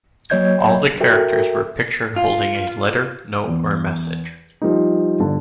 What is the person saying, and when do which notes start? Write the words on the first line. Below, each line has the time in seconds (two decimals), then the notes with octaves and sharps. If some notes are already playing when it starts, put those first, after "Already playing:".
All the characters were pictured holding a letter, note or message.
0.30 F#3 A#3 C#5 D#5 G6 G#6
1.01 F#4 A4 A#4 E5 G5
2.16 F4
3.48 E2
4.62 F3 G3 D#4
5.20 G1 D3 A5